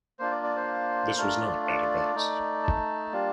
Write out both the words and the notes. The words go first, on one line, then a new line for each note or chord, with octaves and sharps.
This was not bad advice.
A#3 D4 F4 C5
D5
D5
C5
A3 D4 F4 A#4
D5
D5
A3 D#4
A5
G3 A#3 D4 F4